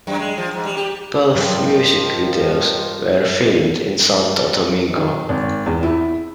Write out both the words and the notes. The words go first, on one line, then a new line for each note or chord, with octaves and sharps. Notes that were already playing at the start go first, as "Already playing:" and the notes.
Both music videos were filmed in Santo Domingo.
F#2
G#3
F3
G#2
G3
G4
G2 D#3 F3 G3
D#3
G#1
E2
E4